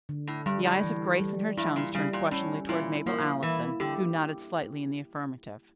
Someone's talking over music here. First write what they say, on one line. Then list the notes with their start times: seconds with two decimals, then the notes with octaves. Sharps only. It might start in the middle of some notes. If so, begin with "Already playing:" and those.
The eyes of Grace and her chums turned questioningly toward Mabel Allison, who nodded slightly in the affirmative.
0.09 D3
0.27 A2
0.46 G2 G3
0.65 A2
0.84 E3
1.20 G3
1.57 G2 E4
1.76 A#2
1.95 C#3 G3
2.13 A#2
2.31 A2 C#4
2.69 A#2 E4
3.06 F3 A#3
3.43 E3 E4
3.80 D3 G4